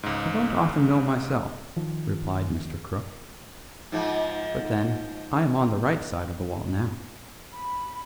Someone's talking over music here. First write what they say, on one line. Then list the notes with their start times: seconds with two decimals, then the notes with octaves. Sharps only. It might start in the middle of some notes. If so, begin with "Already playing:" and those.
"I don't often know myself," replied Mr. Crook; "but then I am on the right side of the wall now."
0.03 C#2 G#2
1.76 D#3 F3
3.92 G#2 F3
7.53 B5